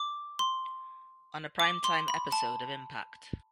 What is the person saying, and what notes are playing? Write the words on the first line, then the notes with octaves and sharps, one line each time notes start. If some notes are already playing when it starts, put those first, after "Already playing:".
On a prime time episode of Impact!
Already playing: D6
C6
D6
C6
B5
A5